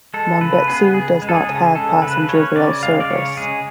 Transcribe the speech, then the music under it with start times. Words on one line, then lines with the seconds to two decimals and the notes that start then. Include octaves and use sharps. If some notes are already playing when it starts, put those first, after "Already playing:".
Monbetsu does not have passenger rail service.
0.14 G#3 A4
0.40 C#3 B4
0.67 B3 G#4
0.94 C#3 G#4
1.22 G#3
1.29 A4
1.34 G#4
1.49 C#3
1.75 G#3 A4
2.02 C#3 B4
2.29 C#4 C#5
2.56 C#3 D5
2.83 G#3 F5
3.00 D5
3.10 C#3 C#5
3.37 G#3 G#4